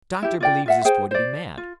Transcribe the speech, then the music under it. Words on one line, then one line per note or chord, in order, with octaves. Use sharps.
A doctor believes this boy to be mad.
E4 G4
F4 D5 G5
F4 E5 F#5
G#4 C5 G5
C5 D5
F4